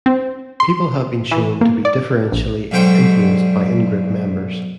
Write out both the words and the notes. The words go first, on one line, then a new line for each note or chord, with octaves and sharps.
People have been shown to be differentially influenced by ingroup members.
C4
C6
E3
A#3
D5
A#1
B1 G#2 D3 C5 G5 C#6